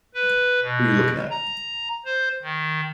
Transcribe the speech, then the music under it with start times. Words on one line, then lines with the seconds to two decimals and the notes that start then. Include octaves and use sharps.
Who You Looking At?
0.14 B4
0.62 B2
1.30 A#5
2.05 C5
2.42 D#3